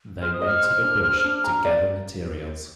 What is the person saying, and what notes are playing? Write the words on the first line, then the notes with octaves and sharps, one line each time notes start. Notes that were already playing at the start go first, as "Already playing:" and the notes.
They went to the bush to gather materials.
C5 F6
D#6
D#5 F6
C5
D4
C5
D4
A#5
D5